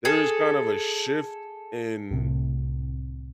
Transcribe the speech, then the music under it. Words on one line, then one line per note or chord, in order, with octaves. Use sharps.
there is kind of a shift in
G#4 A4
C2 A2 C3